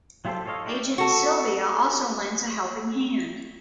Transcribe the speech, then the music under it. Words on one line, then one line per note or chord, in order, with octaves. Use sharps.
Agent Sylvia also lends a helping hand.
F#3 F4 G4 A4 C5
F4 A4 C#5 D#5 F5
D#4 E4 F#4 G4 D5
F#4 A4